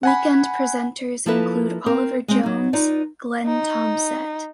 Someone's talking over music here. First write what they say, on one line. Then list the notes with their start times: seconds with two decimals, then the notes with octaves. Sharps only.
Weekend presenters include Oliver Jones, Glen Thompsett.
0.03 F#5 G#5 B5
1.26 F3 A#3 E4 A4 B4
1.86 C4 A#4
2.28 G#3 C4
2.43 F#3 D#4
2.73 D#4 F4 B4 D5
3.46 D#4